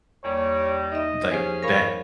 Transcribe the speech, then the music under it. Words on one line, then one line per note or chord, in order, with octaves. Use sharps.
Like, that
E2 D#3 G3 A#3 C#5
D#4 D#5 E5
F3 C#4 G4 G#4 C5
A#4 C#5 F5 B5